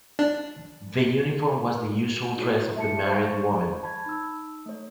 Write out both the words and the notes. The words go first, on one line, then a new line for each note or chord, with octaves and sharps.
The uniform was the usual dress of the married woman.
D4
E4 F#4 A4 C#5
E5 A5 C#7
C5 C#6
A5 B5 G#6
D#4 E6
A3 C#5